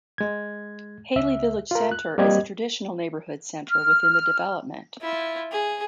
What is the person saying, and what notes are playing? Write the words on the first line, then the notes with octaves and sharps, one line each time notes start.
Haile Village Center is a traditional neighborhood center within the development.
G#3 G#6
C#2 E5
F4 A#4
F#6
G3 A#3 C4 G4 D#5 G#6
F6
E4 F4
G#4